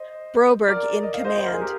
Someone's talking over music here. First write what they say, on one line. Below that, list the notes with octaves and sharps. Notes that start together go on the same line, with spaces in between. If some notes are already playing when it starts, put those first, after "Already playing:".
Broberg in command.
Already playing: C5 D#5
A#4 D5
D#5
F5
C5 D#5
C5
A#4
G#4
G4 A#4